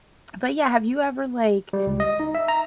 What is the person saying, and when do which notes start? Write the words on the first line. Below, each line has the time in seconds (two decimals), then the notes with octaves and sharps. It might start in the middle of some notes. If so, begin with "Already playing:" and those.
but, yeah, have you ever, like,
1.73 G3
1.87 C#2
2.00 D#5
2.20 D#4
2.35 E5
2.48 A#5